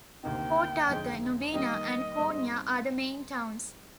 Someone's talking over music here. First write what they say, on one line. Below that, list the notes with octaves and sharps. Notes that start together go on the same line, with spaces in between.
Port Arthur, Nubeena and Koonya are the main towns.
D2 C3 D#3 A#3 D#4 G5
F1 F2 D3 G#3 D#4
D#3 G3 A#3 D#4 G4 D#5
G#2 G3 C4 D#4